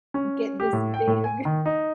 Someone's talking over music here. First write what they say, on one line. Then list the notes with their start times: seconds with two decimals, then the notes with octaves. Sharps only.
get this big,
0.14 C#4
0.60 G4
0.73 A2
0.94 G5
1.07 A2
1.24 G#5
1.45 D#3
1.66 D#4